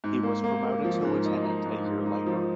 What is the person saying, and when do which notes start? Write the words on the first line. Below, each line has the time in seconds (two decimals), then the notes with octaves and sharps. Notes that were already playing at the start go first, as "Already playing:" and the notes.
He was promoted to lieutenant a year later.
0.04 G#2
0.23 A#3
0.44 A#3
0.64 A#3
0.84 F3
1.05 G#2
1.25 D#4
1.45 D#4
1.66 G#2
1.86 G#2
2.06 D#4
2.26 F3